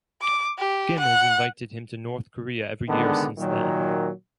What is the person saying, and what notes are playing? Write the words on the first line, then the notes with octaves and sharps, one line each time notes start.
Kim has invited him to North Korea every year since then.
D6
G4
F#5
D3 D#3 G#3 B3 D4
A#2 D#3 F#3